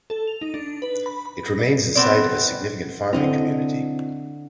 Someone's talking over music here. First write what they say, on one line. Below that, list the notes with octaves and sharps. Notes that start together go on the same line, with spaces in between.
It remains the site of a significant farming community.
A4
F7
D#4
D4
B4
B5
B5
A#6
D5
B3 C4 D5
D3 C4 E4 D#5 A#5